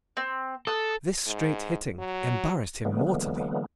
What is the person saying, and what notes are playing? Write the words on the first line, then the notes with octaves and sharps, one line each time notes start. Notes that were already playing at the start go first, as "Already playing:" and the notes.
This straight hitting embarrassed him mortally.
C4
A4 D#6 F#6
G#2
F#3
D3 E3 F#3 G#3 A#3 B3